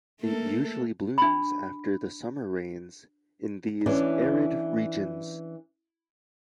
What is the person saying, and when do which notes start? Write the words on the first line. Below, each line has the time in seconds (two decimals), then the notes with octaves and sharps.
It usually blooms after the summer rains in these arid regions.
0.21 A3 A#3 A4
1.18 D4 B5
3.86 E3 C#4 D4